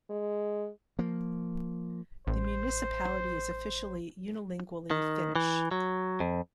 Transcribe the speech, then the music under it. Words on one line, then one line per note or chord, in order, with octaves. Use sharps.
The municipality is officially unilingually Finnish.
G#3
F3 A#3
A1 C5
D#3
E3
F#3
F2